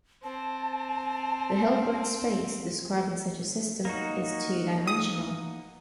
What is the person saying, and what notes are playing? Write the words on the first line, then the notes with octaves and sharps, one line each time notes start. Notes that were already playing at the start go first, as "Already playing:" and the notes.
The Hilbert space describing such a system is two-dimensional.
C4 A5
A#3 D#4 F#4
D#6